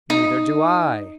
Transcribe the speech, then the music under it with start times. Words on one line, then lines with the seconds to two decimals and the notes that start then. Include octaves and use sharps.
"Neither do I."
0.10 D#4